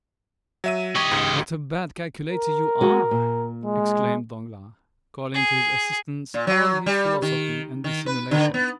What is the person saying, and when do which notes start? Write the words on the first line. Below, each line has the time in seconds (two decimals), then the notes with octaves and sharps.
"What a bad calculator you are!" exclaimed Danglars, calling to his assistance all his philosophy and dissimulation.
0.64 F#3 E5 D#7
0.96 G4 D#5 C#6 G#6
1.11 C#2 G#2
2.27 A#4
2.81 G#3 F#4
3.11 A#2
3.65 G#3
5.35 G#4
6.34 A#2
6.47 F#3
6.86 G3
7.22 D#3
7.84 D#3
8.06 B4
8.31 D3
8.54 B3